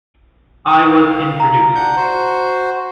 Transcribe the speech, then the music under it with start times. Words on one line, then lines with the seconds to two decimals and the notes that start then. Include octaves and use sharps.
I was introduced.
0.87 F5
1.40 A#5
1.75 D4 F#5 G6
1.97 F#4 C5